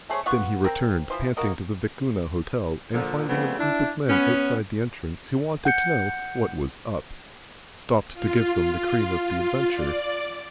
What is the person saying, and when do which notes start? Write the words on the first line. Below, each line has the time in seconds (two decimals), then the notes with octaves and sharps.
Then he returned panting to the Vicuna Hotel, and finding a group of men outside the entrance, who wanted to know what was UP, stopped to give them the cream of the adventure.
0.10 A3 G#4 C5 C#5
0.26 B3 F4 F#5 C#6
0.64 C4 A#4
1.10 E3 F3 C5
1.37 A#3 F#4 A#4 D#5
2.93 A#2 D3 F3
3.28 C#3 F3 G3 A3 B3 C4
3.58 D4 E4
4.09 B3 C#4
5.65 F#5 G6 C#7
8.13 F4
9.73 D5